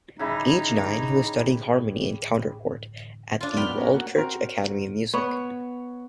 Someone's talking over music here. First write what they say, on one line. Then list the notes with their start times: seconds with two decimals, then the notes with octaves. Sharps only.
Aged nine, he was studying harmony and counterpoint at the Waldkirch academy of music.
0.19 C#3 G3 D#4 E4
3.41 D4 F4
3.57 F#2 B3 G5 B5 F6
3.78 B3 C#4 A#4
3.94 A#3 F#4
4.16 C4 F#4 A#4
5.14 B3 C#5 C#6